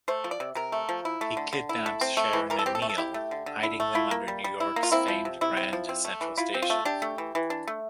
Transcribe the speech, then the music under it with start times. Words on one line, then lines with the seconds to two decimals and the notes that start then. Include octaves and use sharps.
He kidnaps Sharon and Neil, hiding them under New York's famed Grand Central Station.
0.08 A3 C5
0.24 F3
0.31 D5
0.40 C3
0.55 C3 A#4
0.72 A3
0.89 F3
1.05 E4
1.21 A3
1.37 D3
1.53 D3
1.69 E4
1.86 A3
2.01 C4
2.17 A3
2.33 E3
2.50 E3 A#4
2.59 A4
2.66 C4 G4
2.75 A4
2.82 A3
2.89 A4
2.98 E4 G4
3.14 A3
3.31 D3
3.46 D3
3.63 E4
3.80 A3
3.95 E4 F4
4.11 A#3
4.28 G3
4.44 G3
4.60 E4
4.76 A#3
4.83 F4
4.92 C4 E4
5.08 F3
5.25 C3
5.41 C3 E4
5.57 C4
5.73 F3
5.89 C4
6.05 A3
6.21 E3
6.38 E4 F4
6.54 C4
6.62 F4
6.70 A3
6.85 D4 G4
7.02 A3
7.18 E3
7.35 E3
7.50 D4
7.67 A3